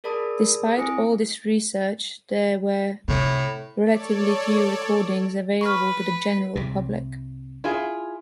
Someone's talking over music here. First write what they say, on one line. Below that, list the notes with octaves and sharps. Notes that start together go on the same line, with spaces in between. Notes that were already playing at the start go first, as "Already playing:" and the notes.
Despite all this research, there were relatively few recordings available to the general public.
G#4 A#4 D5 A5 B5 D#6
C4 E4 G#5 D#6 C#7
A2 C3
A4 C#5 D5
B4 B5 C#6 F6
C2 C3
E4 F4 G#4